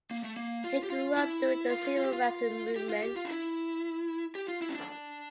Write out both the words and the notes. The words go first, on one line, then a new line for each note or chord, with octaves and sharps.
He grew up during the civil rights movement.
A#3
A3
A#3
F4
G4
F4
E4
F4
F4
G4
F4
G4
F4
G4
F4
D4
E4
G4
F4
E4
C#4
D4